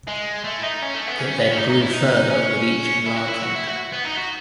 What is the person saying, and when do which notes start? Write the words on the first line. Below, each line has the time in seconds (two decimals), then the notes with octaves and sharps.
It then grew further with each enlargement.
0.08 G#3
0.44 A3
0.58 E4
0.63 D#4
0.82 C#4
0.94 A3
1.07 B3
1.19 C#4
1.38 B3
1.52 C#4
1.57 D#4
1.69 D#4
1.82 E4
1.93 D#4
2.30 C#4
3.06 E4
3.16 F#4
3.28 E4
3.42 F#4
3.55 E4
3.67 F#4
3.92 B3
4.04 D#4
4.17 F#4